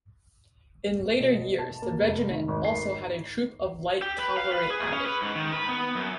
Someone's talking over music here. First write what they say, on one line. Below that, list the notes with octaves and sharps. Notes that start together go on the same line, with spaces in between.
In later years, the Regiment also had a troop of light cavalry added.
B2
A5
A#3
F1
D#3
G#1
C7
G4
B4
F5
B4
G#4
C#4
B4
G#2
D#3
B4
B3
F#2